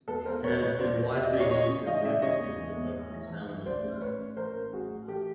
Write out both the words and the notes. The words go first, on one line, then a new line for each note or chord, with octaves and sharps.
It has been widely used in movies since the birth of sound movies.
E1 A4 B4
E2 A#4 C5
E1 B4 C#5
E1 B4 C#5
C#3 C5 D5
E1
E1 E5
D#5
C#3 D5
C#5 D#5
C#3 C#5 D#5
C#3
E3 D#5 F5
C#3 D5 E5
C#3 C#5 D#5
E1
E3
E2
A2
E3
E3
E3
A2 C5 D5
A1
A1 B4 C#5
A1
E3 A#4 C5
A1
A1 F#4 G#4
A1
E3 G4 A4